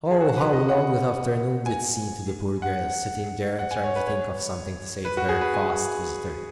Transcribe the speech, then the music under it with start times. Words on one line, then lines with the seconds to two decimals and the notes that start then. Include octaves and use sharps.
Oh, how long that afternoon did seem to the poor girls, sitting there and trying to think of something to say to their vast visitor!
0.11 G#4
0.21 F#4
0.37 B4
0.53 D#5
0.69 F#5
1.66 G#5
2.62 F#5
3.59 F#5
3.71 G#5
3.84 C#5
3.96 B4
4.08 C#5
5.05 B4
5.17 F#4
5.29 G#4
5.41 B4
5.54 G#5